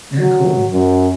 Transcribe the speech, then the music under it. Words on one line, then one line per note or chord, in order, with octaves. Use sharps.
Yeah, cool.
F#3
F#2